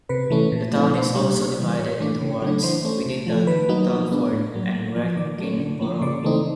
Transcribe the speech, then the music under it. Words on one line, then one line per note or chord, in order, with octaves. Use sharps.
The town is also divided into Wards, within the Telford and Wrekin borough.
C3 B4
E3 A3 C#4
A#2
F3 A3 C4 D#4
B2 C5
G3 A#3 D4
C3
E3 G3
A2 C#5
E3 A3 D4
C#3
F#3 A3 D4
E3 C5
A3 C#4
C3
F3 A3
D#3 B4
F#3 A#3 D#4
F3
G#3 B3 D4
A2
F#3 A#3
A2
F3 A#3
D#3 D5
F#3 A3 C#4
D3
F3 A#3
C#3 D5
E3 A3 C4 D#4